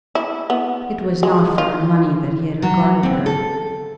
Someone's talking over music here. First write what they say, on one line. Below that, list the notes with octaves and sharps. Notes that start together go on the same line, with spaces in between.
It was not for her money that he had regarded her.
E4
B3
G#3
F4
F#3
C4
A4